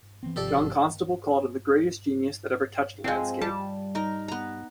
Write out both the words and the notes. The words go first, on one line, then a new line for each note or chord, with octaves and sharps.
John Constable called him the greatest genius that ever touched landscape.
E3 B3 C4
G#1 C3 F3 G4 A4 D5
F3 G#3 C4
G3 A5
D#4 A#4
B3 A#5